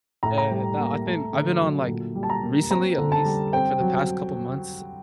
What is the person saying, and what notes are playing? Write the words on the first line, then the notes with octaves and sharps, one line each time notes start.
Eh, no, I've been I've been on, like recently at least, like, for the past couple months,
A2 A#5
A#5
G3
A#3
A3
D3
F#3
A#2
G3
A5
A#5
A#3
C4 A#5
D3
A5
G3
C4 G5
F#3